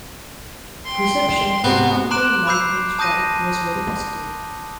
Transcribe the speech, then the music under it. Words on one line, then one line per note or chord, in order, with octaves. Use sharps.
Reception for "Thunder, Lightning, Strike" was very positive.
G5 C6
G#2 C3 B3 F#4
A#5 C6 D6 F#6 D7 E7
B5 D6 E6 G6 C7
A5 D#6 G6 A#6 D#7